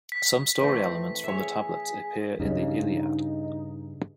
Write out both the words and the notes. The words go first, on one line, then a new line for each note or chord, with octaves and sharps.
Some story elements from the tablets appear in the "Iliad".
B6
E3 A3 C4
G#4 C#5 E5
G2 C#3 D#4